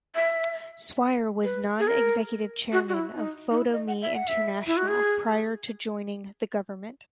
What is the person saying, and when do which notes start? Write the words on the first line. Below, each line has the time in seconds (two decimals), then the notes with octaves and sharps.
Swire was non-executive chairman of Photo-Me International prior to joining the Government.
0.15 E5
1.44 B4
1.79 G#4
1.87 A#4
2.72 F#4
2.89 F#4
2.94 E4
3.15 D#4
3.51 D#4
3.58 E4
3.73 D#5
3.88 F#5
4.02 E5
4.15 F#5
4.28 E5
4.67 E4
4.77 F#4
4.88 G#4